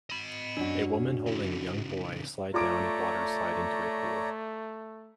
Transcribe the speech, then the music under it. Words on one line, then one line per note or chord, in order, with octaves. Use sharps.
A woman holding a young boy slide down a water slide into a pool.
D#5 B5
F#2 C#4 D4 F#4
C#3 E3
A3 F4 C#5 D5 A#5 D6 D7